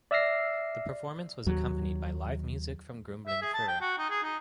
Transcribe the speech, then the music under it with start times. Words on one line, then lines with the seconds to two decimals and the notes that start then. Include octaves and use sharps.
The performance was accompanied by live music from Grumbling Fur.
0.11 D5 E5 E6 F6 A#6 C7
1.46 D#2 F#3
3.27 E5
3.42 G#4
3.54 A5
3.68 G5
3.81 F#4
3.98 D#4
4.10 G#4
4.23 D#4